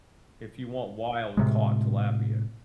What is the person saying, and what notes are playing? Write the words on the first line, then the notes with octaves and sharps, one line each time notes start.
if you want wild-caught tilapia,
A2 C3 G#3